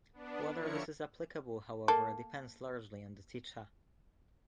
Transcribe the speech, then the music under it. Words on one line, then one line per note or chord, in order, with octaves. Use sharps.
Whether this is applicable, however, depends largely on the teacher.
B3 D4
D3 F3 E4 A#4 C#5 C#7
A#3 A4